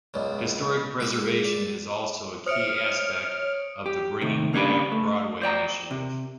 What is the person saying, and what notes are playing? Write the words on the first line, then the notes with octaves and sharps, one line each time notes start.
Historic preservation is also a key aspect of the Bringing Back Broadway initiative.
C#2 F#2 B2 D5 D#5
G#3 G4 G#4 B4 E5 B5
D5
C5 C#5 E5 D#6 F6 C#7 D7
G4
C3 D#3 A3
C#3 A#3 C#4 D4 G4 B4
A3
C5 D5 G5 A#5
C3